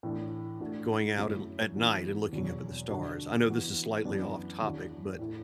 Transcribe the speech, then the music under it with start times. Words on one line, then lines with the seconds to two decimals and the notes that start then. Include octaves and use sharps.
going out and l at night and looking up at the stars, I know this is slightly off topic, but
0.03 A2 E3 A3 D4
0.60 A2 A3 D4 F#4
1.18 F#2 F#3 A3 E4
1.76 E3 B3 D4 F#4
2.33 E2 B2 F#3
2.90 D3 F#3 D4 F#4
3.47 E3 B3 F#4
4.05 F#2 E3 B3 D4
4.62 E2 E3 D4 F#4
5.19 A2 A3 E4